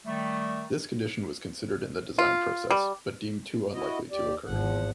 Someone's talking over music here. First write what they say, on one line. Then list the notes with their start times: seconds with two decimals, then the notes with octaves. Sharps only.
This condition was considered in the design process, but deemed too unlikely to occur.
0.06 D#3 G3 A3
2.19 F4
2.71 G3
3.74 E4 F#4 D#5
4.11 D#2 G4 D5
4.46 G#1 E2 F3 F#5